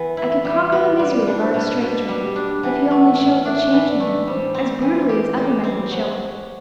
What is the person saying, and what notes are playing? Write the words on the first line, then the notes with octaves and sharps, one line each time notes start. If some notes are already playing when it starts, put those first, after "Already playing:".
I could conquer the misery of our estrangement, if he only showed the change in him as brutally as other men would show it.
Already playing: E3 B3
E4 E5
G3
E5
B3
G3 D5 E5
D4
C5
B2
B2 F#4
G3
G4
D4
E3 F#5
A3
A2
D4 E5
E3
D5
A3
G3 C5
C4
E3
G4 B4
G3
C4
F#3 C5